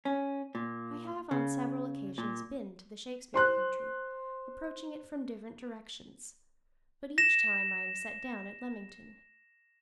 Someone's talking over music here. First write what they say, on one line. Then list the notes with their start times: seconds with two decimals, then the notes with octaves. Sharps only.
I have on several occasions been to the Shakespeare country, approaching it from different directions, but each time I am set down at Leamington.
0.05 C#4
0.55 A#2
1.31 C#3
2.18 A#2
3.34 C5 C6 F#6
7.18 A#6 E7